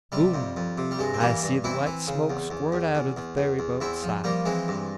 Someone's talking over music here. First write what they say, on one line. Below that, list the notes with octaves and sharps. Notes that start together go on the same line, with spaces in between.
"Boom!" I see the white smoke squirt out of the ferryboat's side.
C3 G3
F2
F2
C3
G3
G2 G#3
C4
E3 G3 A#3
G2
E3 C4 E4
E3
C#3
E2
E2
E2
E2
E2
E2
E2
E2 C4 E4
F3
F3 G3 A#3
E3 G#3 C4
G2